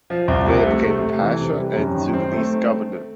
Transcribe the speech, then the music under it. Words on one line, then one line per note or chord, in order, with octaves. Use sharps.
He later became a pasha and Sudanese governor.
F3
C2
C3
A3
A3
C3
E3
C3
G3
F#2
D#3
C4
A3